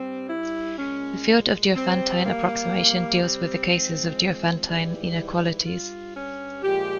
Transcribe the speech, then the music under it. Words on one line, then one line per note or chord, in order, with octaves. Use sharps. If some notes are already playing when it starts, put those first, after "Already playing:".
The field of Diophantine approximation deals with the cases of "Diophantine inequalities".
Already playing: G2 G3 C4
E4
A#2 G#3 C#4
C3 G3 C4
A#3
C3
G3
C4
G#2 F3 G#3
G#2 E3 G3
E4
G2 G3 F4
C#4
A#2 F3 G#3 G4